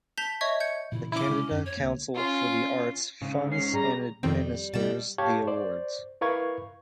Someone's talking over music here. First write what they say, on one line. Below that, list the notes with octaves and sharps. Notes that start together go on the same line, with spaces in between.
The Canada Council for the Arts funds and administers the awards.
A5 G6 B6 F7 G7
C#5 D#5 E5 C#6 G#6
G6 G#6 C#7
A#2 C#3 E3 E4
C#4 E4 D6
C3 G#3
F#2
C#5
C#2 D3 A#3
C#4 F4
G#2 C#3
C#4 C7
G3 G#4 A#5
F2 D#3 G3 C4
B2 G3 A6 E7
G4 C#5 F5 A5 C#6 G#6
C5 D5
E4 A#4 B4 F5 C#6 G#6